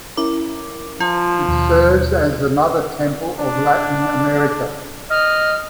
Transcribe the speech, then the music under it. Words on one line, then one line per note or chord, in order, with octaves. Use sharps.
It serves as the mother temple of Latin America.
C#4 E4 A#4 D6
F3 F4
D#2 B2
D4
D#5 F6